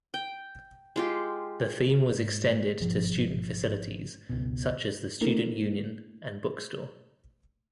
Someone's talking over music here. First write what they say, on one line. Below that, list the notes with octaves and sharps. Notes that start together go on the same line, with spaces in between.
The theme was extended to student facilities such as the student union and bookstore.
G5
G#3 F4 G4
G#2
G#1 G2 B2 F3
G1 C#2 B2
A3 A#3 D4 E4 A4 A#4